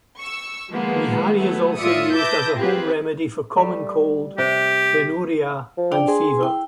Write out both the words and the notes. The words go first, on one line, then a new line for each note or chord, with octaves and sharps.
Nihari is also used as a home remedy for Common cold, Rhinorrhea and Fever.
C#6 E6
D#3 F3 G#3 A#3 B3
F#3 A3 B3
A2 F4 D5 E5 D#6 C#7
B4 E5 A5 D6 G6 A#6
C4 F4 G4 G#4 B4
G3 A3
C3 G4 G5
F3
D4 D5 G5
G#4 C6
E4 G5